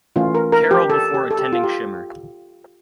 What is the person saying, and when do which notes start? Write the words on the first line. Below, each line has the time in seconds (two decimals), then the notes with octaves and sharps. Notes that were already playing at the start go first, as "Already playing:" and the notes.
Carroll before attending Shimer.
0.16 E3 A3 C#4 F4
0.35 A#4
0.52 A#4
0.71 G4
0.90 A4
1.14 G4
1.31 A4
1.39 G4
1.53 F4
1.64 G4